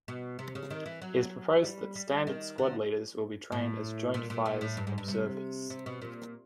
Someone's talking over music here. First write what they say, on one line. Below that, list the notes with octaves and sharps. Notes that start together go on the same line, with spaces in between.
It is proposed that standard squad leaders will be trained as Joint Fires Observers.
B2
C3
C#3
D#3
E3
F#3
G3
G3
D#3
D3
A2
A#2
A#2
A#2
A2
G2
G#2
G2
C3
C3
B2
A#2